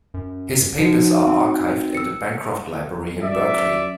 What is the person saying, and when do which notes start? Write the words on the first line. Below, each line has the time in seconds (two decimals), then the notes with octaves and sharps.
His papers are archived at the Bancroft Library in Berkeley.
0.14 F#2
0.79 F3 D#4 F#4
1.27 C4
1.95 E6 C#7
3.22 F#2 D5 E5